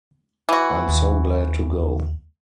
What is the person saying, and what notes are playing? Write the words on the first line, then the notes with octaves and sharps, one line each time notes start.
I'm so glad to go!
E3 F#4
D#2